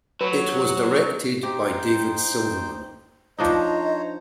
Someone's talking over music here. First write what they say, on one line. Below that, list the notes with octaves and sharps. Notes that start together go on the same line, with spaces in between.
It was directed by David Silverman.
F#3 B4
D#4 G4 C5 G5
F3 D4 D#4 C5 C#5 D#5 A#5